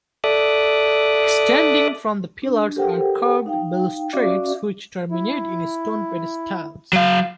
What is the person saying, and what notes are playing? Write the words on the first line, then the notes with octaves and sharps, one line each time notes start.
Extending from the pillars are curved balustrades which terminate in stone pedestals.
A4 D5 E5 D6 D#6 F#6
D4
G4 A4 A#4 C5 F#5 G5
D#4 F5 G5
C#4 F#4 D5 E5 F5 D6
E4
F#3 F5